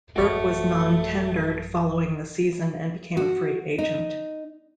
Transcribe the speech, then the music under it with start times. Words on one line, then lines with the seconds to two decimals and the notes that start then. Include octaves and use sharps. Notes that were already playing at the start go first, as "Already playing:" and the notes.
Burke was non-tendered following the season and became a free agent.
0.16 A1 F#2 A3 F#4 C#5
3.17 F#4
3.78 D#4